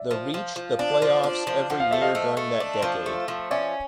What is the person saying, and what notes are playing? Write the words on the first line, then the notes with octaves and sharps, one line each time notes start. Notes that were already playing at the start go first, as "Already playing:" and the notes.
The reached the playoffs every year during that decade.
Already playing: D5 E5
F3
F3
F3
D4
F3
D4
F3
F3 F#5
F5
A3 E5
D#5 F5
A3
A3
D4
F3
A3
F3
C#4 D5 E5